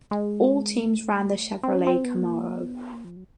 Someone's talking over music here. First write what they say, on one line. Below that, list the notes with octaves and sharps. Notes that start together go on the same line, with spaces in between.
All teams ran the Chevrolet Camaro.
G#3
A3
C4
C#4
C4
B3
A#3
B3
A#3
F3
F#3